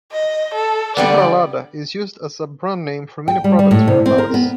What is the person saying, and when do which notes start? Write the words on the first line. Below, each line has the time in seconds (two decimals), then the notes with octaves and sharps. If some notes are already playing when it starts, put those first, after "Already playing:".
"Chitralada" is used as the brandname for many products from the palace.
0.12 D#5
0.54 A4
0.97 D3 G3 B3 D5
3.28 G5
3.44 G3
3.59 G3
3.71 A2
3.88 C3
4.06 C4
4.18 A#4
4.34 B3